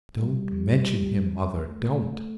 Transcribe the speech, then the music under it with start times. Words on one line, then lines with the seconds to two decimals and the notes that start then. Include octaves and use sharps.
'Don't mention him, mother, don't!'
0.20 G3
1.66 A3